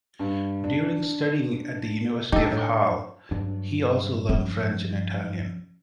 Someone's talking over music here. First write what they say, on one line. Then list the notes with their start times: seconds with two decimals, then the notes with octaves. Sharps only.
During studying at the University of Halle, he also learned French and Italian.
0.20 G2
0.64 D4
2.32 D4 D#4 G4 A4 A5
2.52 A2
3.31 G2 F#3 D4
4.29 F3 C#4